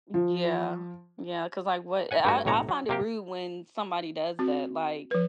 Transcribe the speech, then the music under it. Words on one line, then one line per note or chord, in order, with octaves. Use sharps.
Yeah, yeah, ‘cause like what i I I find it rude when somebody does that, like,
F3
F#5 G#5
G2 A3 F#4
B1 A2 C3 C#5 A#5
F#3
C3 A#3 G4
C4 F#4
F3 B4